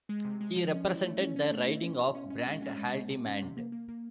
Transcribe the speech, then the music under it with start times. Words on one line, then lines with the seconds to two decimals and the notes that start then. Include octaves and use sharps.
He represented the riding of Brant-Haldimand.
0.09 G#3
0.25 C3
0.41 G#3
0.56 F3
0.73 C#4
0.88 E4
1.04 A3
1.20 C#4
1.36 C#4
1.51 A3
1.68 E4
1.83 C#4
1.99 B2
2.15 C#4
2.30 C#4
2.46 G#3
2.62 C#4
2.78 G#3
2.94 B2
3.10 C3
3.25 C#4
3.42 C3
3.57 A#3
3.72 A#3
3.89 A#3